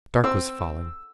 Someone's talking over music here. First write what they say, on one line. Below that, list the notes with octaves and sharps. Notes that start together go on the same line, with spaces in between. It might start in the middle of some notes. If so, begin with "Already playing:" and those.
Dark was falling.
C4 E6